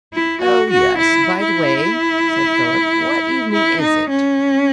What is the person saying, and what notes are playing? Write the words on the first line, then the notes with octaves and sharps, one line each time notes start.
"Oh, yes, by the way," said Philip, "what evening is it?"
E4
F#4
F#4
E4
E4
E4
D#4
C#4